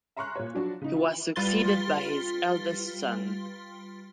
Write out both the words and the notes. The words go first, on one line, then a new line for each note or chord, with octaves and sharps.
He was succeeded by his eldest son.
E5 A#5 C6 C#6 F6 F#6
A#2 C#5
F3 F#3 D4 F4 F#4
C#3 D#4
F4
G3 F4 B4 C6 A6 G7